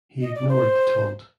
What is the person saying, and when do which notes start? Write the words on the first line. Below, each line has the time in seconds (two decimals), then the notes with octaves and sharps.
He ignored the taunt.
0.22 D#5
0.35 D5
0.49 C5